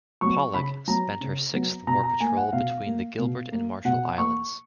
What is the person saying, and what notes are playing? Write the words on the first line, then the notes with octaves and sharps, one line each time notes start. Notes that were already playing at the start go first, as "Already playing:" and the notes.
"Pollack" spent her sixth war patrol between the Gilbert and Marshall Islands.
F#3 B3 C#6
C#3 B5
F#3 B3 A#5
C#3
F#3 B3
B2 A#5
A#5
A#3 G#5
F#5
B2 F5
A#3
B2
A#3
B2 F#5
A#3 C#6